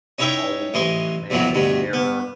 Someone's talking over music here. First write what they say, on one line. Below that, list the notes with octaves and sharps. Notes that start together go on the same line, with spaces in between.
"Always look at the man in the mirror,"
C#4 D#4 E4 C#5 E5 G5
A1 E3 D#5 C6 C#6
B1 F2 B2 E3 F#3
D2 G2 B2
B3